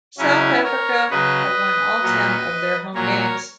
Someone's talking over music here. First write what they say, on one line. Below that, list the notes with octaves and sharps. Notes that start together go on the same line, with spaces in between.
South Africa have won all ten of their home games.
C#3 F#3 C#4 E4
A#4 C#5
C#3 F#3 B4 D#5
A#2 F#3
A#2 F#3 A#4 C#5